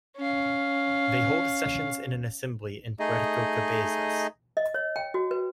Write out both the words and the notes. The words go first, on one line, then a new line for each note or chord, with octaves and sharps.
They hold sessions in an Assembly in Puerto Cabezas.
C#4 F5
A3 D#4 G#4 D#5
D#5
C#5
G5
F#4
B4